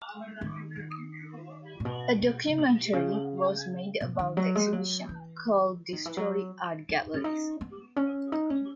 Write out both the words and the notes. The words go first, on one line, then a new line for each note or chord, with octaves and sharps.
A documentary was made about the exhibition, called "Destroy Art Galleries".
D#3
A#2
B2
B2
C#3
B2
C#3
B2
D#3
F#3
G#3
F#3
E3
D#3
E3
F#3
D#4
C#4
D#4
B3
C#4
D#4
C#4